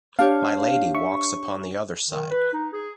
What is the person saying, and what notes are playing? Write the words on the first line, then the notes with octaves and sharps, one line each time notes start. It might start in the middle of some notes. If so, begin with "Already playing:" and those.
My Lady walks upon the other side.
D4 G4 C#5 F5
E5 C#6
D#3
B4
D#4
G#4